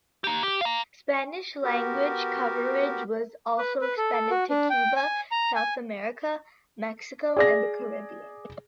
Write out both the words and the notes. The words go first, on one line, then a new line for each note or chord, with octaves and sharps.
Spanish Language coverage was also expanded to Cuba, South America, Mexico and the Caribbean.
A#3 G4
G4
F5 A#5
B3 F#4 G4 A#4
B4
B4
A4
A4
F#4
D4
G5
G#5
A#5
G#5
G#4 D5 A#6